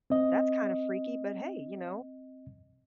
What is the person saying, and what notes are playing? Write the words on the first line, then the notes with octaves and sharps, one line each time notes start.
that's kinda freaky, but hey, you know,
C4 D#5